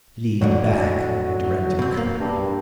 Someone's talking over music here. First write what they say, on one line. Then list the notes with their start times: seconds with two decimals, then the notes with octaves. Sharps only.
"Lead back," I directed curtly.
0.41 F2 A2 D3 F#3
1.79 B2 C4
1.97 A#3
2.20 G2